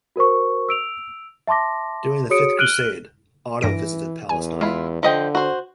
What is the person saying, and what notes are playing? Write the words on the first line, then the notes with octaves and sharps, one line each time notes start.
During the Fifth Crusade, Otto visited Palestine.
F#4 A#4 C5 C#6
E6 D7 F7
E5 A5 C6 D6 A#6
F#4 G#4 C#5 D#6 C#7 D7
F6 F#6 D7 D#7 F#7 G7
G2 E3 A#6 D7
E2 G#5
G#3 E4 F4
D3 F3 D#5 G5
F#4 C5